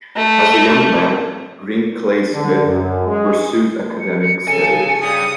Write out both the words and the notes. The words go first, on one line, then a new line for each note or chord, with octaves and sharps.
As a young man, Green Clay Smith pursued academic studies.
A3
D3
F#2
G#3
C#7
C#3 A4 G#5
G2 D#6